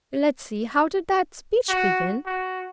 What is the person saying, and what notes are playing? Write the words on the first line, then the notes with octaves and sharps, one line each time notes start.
Let's see--how did that speech begin?
F#4
F#4